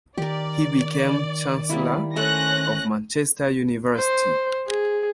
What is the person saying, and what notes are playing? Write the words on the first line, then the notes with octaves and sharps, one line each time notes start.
He became Chancellor of Manchester University.
D#3 G4 A#4 D5
G3 A#3 E4
A3 C#4 A4 C5 F#6 A#6
C5
G#4